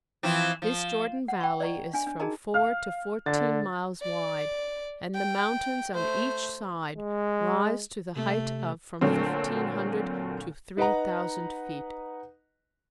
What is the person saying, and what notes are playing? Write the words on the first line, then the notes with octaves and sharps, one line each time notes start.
This Jordan valley is from four to fourteen miles wide and the mountains on each side rise to the height of from fifteen hundred to three thousand feet.
E3 F3 C4
F3
F#5
G5 C#6
D5 D#5 A#5 C#6
D4 G#5
D4
D#4 F#4 G#4 A#4 D#5 A#5
F5 F6
D3 A6
D5
G5
A3 C5
G#3
C3 A3
A#2 D3 F#3 A3 C4
D#4 B4 D#5 F#5 A#5